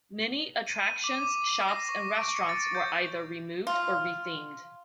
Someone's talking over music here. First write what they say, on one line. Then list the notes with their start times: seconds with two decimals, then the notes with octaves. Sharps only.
Many attractions, shops, and restaurants were either removed or rethemed.
0.67 D#7
0.84 D#7
1.04 D6
1.22 D6
1.47 C7
1.69 A#6
1.89 C#6
2.15 D7
2.36 C#7
2.49 A6
2.75 G6
3.67 F4